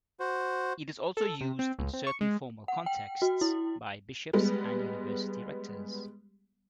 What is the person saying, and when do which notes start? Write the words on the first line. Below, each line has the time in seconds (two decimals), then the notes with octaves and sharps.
It is also used in certain formal contexts by bishops and university rectors.
0.20 F#4 C5
1.17 A4
1.41 C3
1.59 C4
1.79 C#2
1.93 C4
2.07 C#6
2.21 G#3
2.68 F#5
2.86 G5
3.22 F#4
3.41 E4
4.33 G3 G#3 B3